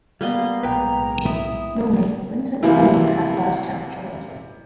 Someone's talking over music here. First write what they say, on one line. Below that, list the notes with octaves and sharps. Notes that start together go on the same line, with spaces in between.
Normally, winter is common to have large temperature ranges.
G3 A#3 B3 G4 D#5 F5
B1 A2 G#3 B4 G5 A#5
E4 D#6
F#2 C3 E3 A#3 E4